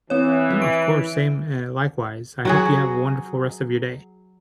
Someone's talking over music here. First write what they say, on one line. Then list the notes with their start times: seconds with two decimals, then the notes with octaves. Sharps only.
No, of course same, eh, likewise, I hope you have a wonderful rest of your day.
0.10 E3 C4 C#5
0.62 D7
2.45 F#3 F#4 G#4